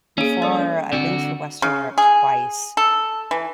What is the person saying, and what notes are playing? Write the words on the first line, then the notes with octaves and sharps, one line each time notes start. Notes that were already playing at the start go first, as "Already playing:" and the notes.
Before, I've been to Western Europe twice,
A#3 C#4 G#4
G3 A4 D5
D3 C4 F#4 D5
C#3
G#4
A4
E3